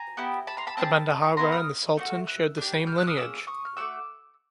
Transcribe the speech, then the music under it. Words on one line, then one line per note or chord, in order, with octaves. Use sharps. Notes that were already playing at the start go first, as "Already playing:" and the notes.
The bendahara and the sultan shared the same lineage.
Already playing: G#5 A#5
B3 E4 G4
A5 B5
A#5 C6
A5 B5
C4 E4 G#4 A5 B5
B3 E4 A4 A#5 C6
D#6 F6
A3 D4 F#4
E6 F#6
D4 G4
F6 G6
E6 F#6
D#6 F6
A#3 C#4 G#4 E6
C#6 D#6
F6
A3 C#4 F#4 D6 E6